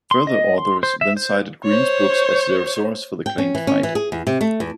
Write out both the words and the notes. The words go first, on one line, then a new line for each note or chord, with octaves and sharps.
Further authors then cited Green's books as their source for the claimed flight.
C6
D#5
C6
C5
E5
C5
C5 C#5
G5
C#4
E3
C#4
E3
G#4
E2
C3
A3
E2